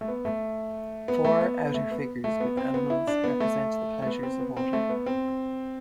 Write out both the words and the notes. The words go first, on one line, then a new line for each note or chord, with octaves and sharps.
Four outer figures with animals represent the pleasures of water.
A3
B3
A3
B3
A3
B3
B3
A3
B3
A3
B3
C4
B3
E4
D4
B3
A3
A3
B3
C4
B3
C4
A3
B3
C4